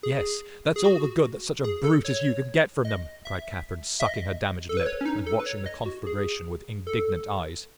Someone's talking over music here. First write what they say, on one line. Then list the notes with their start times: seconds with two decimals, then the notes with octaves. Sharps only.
'Yes that's all the good that such a brute as you can get from them!' cried Catherine, sucking her damaged lip, and watching the conflagration with indignant eyes.
0.03 G#4
0.76 G#4
0.84 F#4
1.64 G#4
1.84 A4
2.05 C#5
2.85 D#5
3.25 E5
4.00 E5
4.06 D#5
4.69 A4
4.77 B4
4.86 C#5
5.01 C#4
5.06 D#4
5.26 A4
5.39 B4
5.46 C#5
5.66 D#5
5.86 F#4
6.07 G#4
6.87 A4